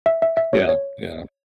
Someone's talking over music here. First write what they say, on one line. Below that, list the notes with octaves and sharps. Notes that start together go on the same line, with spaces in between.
Yeah, yeah.
E5
E5
E5
C#5
C#5